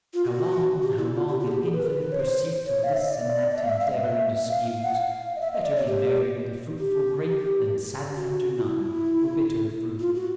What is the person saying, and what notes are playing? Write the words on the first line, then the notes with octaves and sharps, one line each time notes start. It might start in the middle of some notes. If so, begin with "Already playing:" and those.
How long, how long, in infinite Pursuit Of This and That endeavour and dispute? Better be merry with the fruitful Grape Than sadden after none, or bitter, Fruit.
F4
F#4
G4
E4
F4
G4
F#4
G#4
G4
G#4
B4
A#4
B4
C#5
C5
C#5
F5
E5
D#5
D5
D#5
E5
F5
E5
F5
D#5
E5
F5
F#5
F5
D#5
E5
D#5
D5
C#5
G4
G4
F#4
F4
E4
F4
F#4